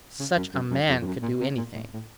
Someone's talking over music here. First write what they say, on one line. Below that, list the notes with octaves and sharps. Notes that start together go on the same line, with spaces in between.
Such a man could do anything.
C#3
F#2
F#2
F#2
F2
F2
F#2
A#2
C3
A#2
A2
A2